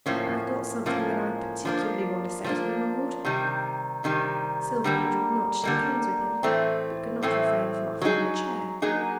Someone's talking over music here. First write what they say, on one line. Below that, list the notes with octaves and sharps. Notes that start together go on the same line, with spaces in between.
"I've got something that I particularly want to say to you, my Lord." Silverbridge would not shake hands with him, but could not refrain from offering him a chair.
A2 F3 A#3 C#4
A2 F3 A#3 C#4
F3 A#3 D4
F3 A#3 D4
C3 D#3 G3
C3 D#3 G3
D3 G3 A#3
D3 G3 A#3
A2 E3 A3 C4
A2 E3 A3 C4
F#3 A#3 D#4 G#4
F#3 A#3 D#4 G#4